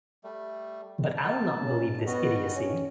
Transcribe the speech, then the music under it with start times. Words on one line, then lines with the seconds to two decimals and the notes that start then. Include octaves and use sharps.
But I’ll not believe this idiocy!
0.24 G3 A3
1.16 A5
1.63 C#4
2.06 G3 B3 F#4 D#5
2.55 C#4